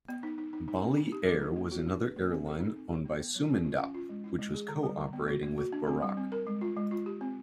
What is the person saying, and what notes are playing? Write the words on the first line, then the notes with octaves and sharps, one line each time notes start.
Bali Air was another airline owned by Sumendap, which was co-operating with Bouraq.
B3
D#4
D#4
D#4
D#4
C4
D#4
G4
F#3
D#4
A#3
F#4
D4
B4
A#3
C4
A4
D#4
C4
G4
B3
B3
F#3
C#4
F4
C#4
F4
G#3
E4
G#3
G#4
D3
G3
D3
B3
F#4
A#3
F#4
D4
C4
G3
C4
A#4
G#3
F4
G#3
F4
G4
C4